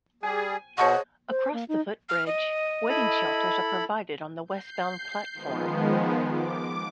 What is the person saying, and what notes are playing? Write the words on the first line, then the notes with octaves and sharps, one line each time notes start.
Across the footbridge, waiting shelters are provided on the westbound platform.
G3 G#4 G#5
B2 G#4 C5 C#5 D#5 F#5 A5 C#6
C5
A#3
D#4
F6
D#5
E4 A4 B5
G6 C7
D#3 F3 G#3 B3
D6